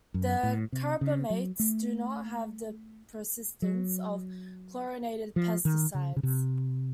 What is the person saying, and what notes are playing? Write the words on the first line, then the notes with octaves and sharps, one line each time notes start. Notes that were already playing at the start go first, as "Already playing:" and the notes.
The carbamates do not have the persistence of chlorinated pesticides.
F#2
A2
C3
C#3
F#3
A3
F#3
F3
D#3
C#3
C#3
C3